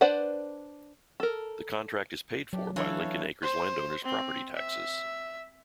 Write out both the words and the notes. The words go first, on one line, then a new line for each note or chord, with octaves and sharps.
The contract is paid for by Lincoln Acres landowners' property taxes.
D4 B4 C5 D5 F#5
A4 A#4
F#2 F#3 D4 G4
E3 D4 E4 A4 C#5 F5
C5
C4
E5